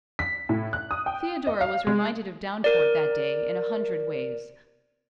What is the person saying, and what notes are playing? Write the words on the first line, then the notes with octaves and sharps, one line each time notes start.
Theodora was reminded of Downport that day, in a hundred ways.
B6
A2
F#6
D#6
G5
D#5
F5
G#3
A#4 D5